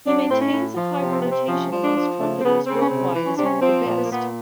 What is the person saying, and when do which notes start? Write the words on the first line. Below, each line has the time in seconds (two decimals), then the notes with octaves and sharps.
He maintains a high reputation amongst trumpeters worldwide as one of the best.
0.05 F#3 D4
0.30 A2 C4
0.41 C#4
0.52 A2
0.77 F3
1.00 C3
1.13 C4
1.22 C3 B3
1.31 C4
1.47 F3 C#4
1.71 F3
1.84 D4
1.94 F3
2.18 C#3 A3
2.39 C4
2.43 C#3 B3
2.66 C#3 C4
2.80 C#4
2.90 C3 C4
3.14 E3
3.25 C#4
3.35 C3 D4
3.46 C#4
3.60 F3 C4
3.84 A#2
3.97 B3
4.04 A#3
4.09 A#2 B3